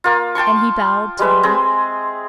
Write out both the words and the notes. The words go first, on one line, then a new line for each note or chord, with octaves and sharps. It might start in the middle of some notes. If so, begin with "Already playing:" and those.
And he bowed to him.
A#3 F4
G5 A5 C6 C#6
G3 G#3 B4 E5
C4 G#4